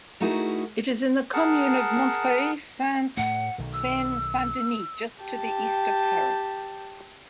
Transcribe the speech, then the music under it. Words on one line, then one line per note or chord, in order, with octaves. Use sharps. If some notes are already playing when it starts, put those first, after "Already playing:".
It is in the commune of Montreuil, Seine-Saint-Denis, just to the east of Paris.
A3 D#4 E4 F#4 G#4 A#4
G#4 A#4 F#5 A5
A2 A3 F#5
B1 D#3
E6
G4 G5 A5